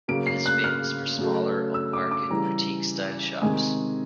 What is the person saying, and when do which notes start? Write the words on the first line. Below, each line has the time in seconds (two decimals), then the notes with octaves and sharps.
It is famous for smaller upmarket boutique style shops.
0.08 C#3 F#3 A#3 D7
0.27 C7
0.46 F#6
0.64 F6
1.19 C#3 F#3 A3
1.74 E6
1.93 D6
2.11 D6
2.30 C#3 E3 G3 A#5
3.42 C3 D#3 G#3 G#5